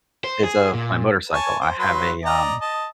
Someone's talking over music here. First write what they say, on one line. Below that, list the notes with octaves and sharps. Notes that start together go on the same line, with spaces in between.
is of my motorcycle. I have a, um
C5
G#4
A#2
C#5 G#5 A5
C5
F#3 B4 C6
D5 D#5 A#5
D#5 A5